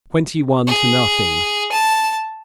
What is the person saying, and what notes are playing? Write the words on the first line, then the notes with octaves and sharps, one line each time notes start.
"Twenty-one to nothing."
G#4
A5